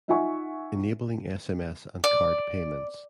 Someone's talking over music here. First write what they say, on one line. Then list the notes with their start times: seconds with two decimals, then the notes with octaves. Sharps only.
Enabling sms and card payments.
0.08 D#4 F4 E5 F#5 G#5 C#6
2.04 D5